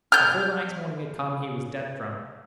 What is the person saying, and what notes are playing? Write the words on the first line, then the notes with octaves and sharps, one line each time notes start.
Before the next morning had come he was dead drunk!
F6 G6